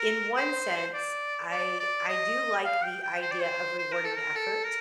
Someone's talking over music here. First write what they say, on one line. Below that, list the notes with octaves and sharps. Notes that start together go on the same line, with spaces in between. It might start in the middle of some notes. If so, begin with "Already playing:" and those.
In one sense, I I do like the idea of rewarding effort,
Already playing: A#4
C5
D5
D5
D5
D#5
F5
G5
G5
C5
D5
C5
C5
A#4
A4
A#4
A4
A#4